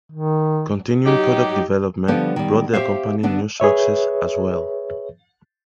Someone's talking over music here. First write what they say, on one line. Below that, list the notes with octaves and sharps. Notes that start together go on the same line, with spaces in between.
Continuing product development brought the company new successes as w ell.
D#3
F#3 D#4 G4
D3 F3 G3 B3 G4 A4
D#3 G3
G4 C5 E5 F5
D3 B3 D4
G#4 B4 C#5 E5